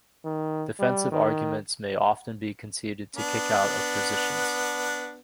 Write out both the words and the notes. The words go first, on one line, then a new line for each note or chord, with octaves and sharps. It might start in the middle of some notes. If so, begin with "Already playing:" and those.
Defensive arguments may often be conceded to "kick out" of positions.
D#3
G3
D#3
B3 D4